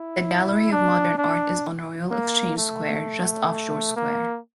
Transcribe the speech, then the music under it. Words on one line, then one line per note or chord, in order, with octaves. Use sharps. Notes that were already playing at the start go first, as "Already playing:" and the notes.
The Gallery of Modern Art is on Royal Exchange Square, just off George Square.
Already playing: E4
D4
D4
A#3
A3
A#3